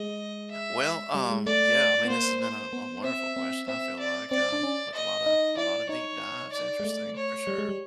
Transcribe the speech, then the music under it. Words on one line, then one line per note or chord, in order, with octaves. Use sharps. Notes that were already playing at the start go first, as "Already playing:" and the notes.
Well, um yeah, I mean, this's been a a wonderful question, I feel like, um, with a lotta a lotta deep dives. Interesting, for sure.
Already playing: G#3 D#5
E5
G3
G#3
A3 D5
B3
A#3 C5
C5
B3
C4 E5
C4
C4 E5
D5
C4 D5
D4
C#4
D#5
D#4
E4 D5
D#4 C#5
D5
G#3
A3
C#5
G3
G#3
G3